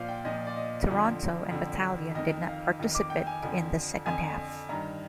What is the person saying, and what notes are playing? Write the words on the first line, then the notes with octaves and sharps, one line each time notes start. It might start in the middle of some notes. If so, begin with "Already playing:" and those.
Toronto and Battalion did not participate in the second half.
Already playing: A#2 F3 C5 D5 F5
G5
A#2 F3 D#5
D5
D#5
F2 D3 F3
F2 D3 F3
F2 D#3 D#5
F5
F2 D#3
D6
G5
G#5
F2 D3 F3
F2 D3 F3 G#5
G2 D#3 A#5